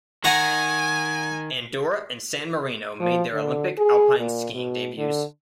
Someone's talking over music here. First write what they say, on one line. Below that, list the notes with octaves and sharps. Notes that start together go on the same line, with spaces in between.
Andorra and San Marino made their Olympic alpine skiing debuts.
D#3 F#5 G#5 A#5 C#6
F3
D3
G#4
A#2
B2
D3